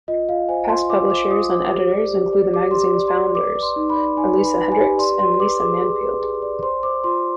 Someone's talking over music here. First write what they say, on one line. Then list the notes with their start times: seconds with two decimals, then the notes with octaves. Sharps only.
Past publishers and editors include the magazine's founder, Elisa Hendricks, and Lisa Manfield.
0.08 F4 D#5
0.29 F4 F5
0.49 C5 G#5
0.69 F4 C6
0.90 F4 D6
1.10 C5 D6
1.31 F4 D#6
1.51 C5 D6
1.72 G4
1.92 D5
2.12 G4
2.33 D5
2.53 G4 D6
2.71 G4 C6
2.81 D6
2.94 D5
3.08 C6
3.15 D5
3.35 B4 D6
3.56 D5
3.62 C6
3.76 D#4
3.90 B5
3.96 D5
4.17 D#4 G#5
4.37 B4
4.44 B5
4.58 B4
4.72 G#5
4.78 G4
4.99 D5 C6
5.19 D5 C6
5.40 B4 D6
5.60 G#4 D6
5.81 G#4
6.02 B4
6.22 G#4
6.42 D5
6.63 C5 C6
6.83 C5 D6
7.04 F4 C6